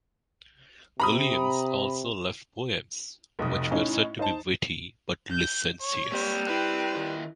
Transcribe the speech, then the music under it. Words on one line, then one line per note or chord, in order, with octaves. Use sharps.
Williams also left poems which were said to be "witty but licentious".
C3 A#5 B5 D#6
F1 B1 D#6
A2 C#4 D#4
D#4 C5 A5
G6
C#5
G3 A#3 C4 B4
E4 B4 C5 G5 F#6
D#3 F4